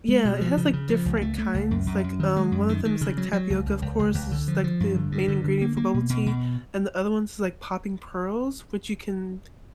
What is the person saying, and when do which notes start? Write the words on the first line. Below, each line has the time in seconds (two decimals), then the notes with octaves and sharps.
Yeah, it has, like, different kinds. Like, um, one of them is, like, tapioca, of course. It's, like, the main ingredient for bubble tea, and the other one's, like, popping pearls, which you can
0.08 G#3
0.25 B2
0.41 F3
0.57 C#3
0.73 C#3
0.89 F3
1.06 C#2
1.22 A3
1.38 A3
1.54 C#2
1.71 F#2
1.87 F#2
2.04 F#2
2.20 D#3
2.37 G#3
2.52 F#2
2.69 D#3
2.85 D#3
3.01 C#3
3.18 F#3
3.33 F#3
3.50 C#2
3.66 C#2
3.82 C#2
3.99 C#2
4.14 C#2
4.31 D3
4.48 F3
4.64 F3
4.80 G2
4.96 D3
5.12 G2
5.28 D3
5.44 D3
5.61 A#3
5.77 A#3
5.94 B2
6.09 B2
6.26 B2